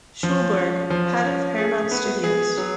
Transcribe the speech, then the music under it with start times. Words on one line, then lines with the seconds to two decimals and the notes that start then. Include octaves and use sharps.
Schulberg, head of Paramount Studios.
0.23 F3
0.57 C#4
0.90 F3
1.24 C#4
1.58 G#4
1.91 B3
2.24 G#4
2.57 F#3